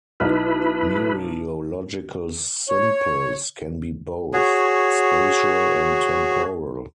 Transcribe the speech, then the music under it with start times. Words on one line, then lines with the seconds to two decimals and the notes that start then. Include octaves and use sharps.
Mereological simples can be both spatial and temporal.
0.20 B1 D#4 E4 B4 F6
2.69 C#5
4.33 F#4 G#4 C#5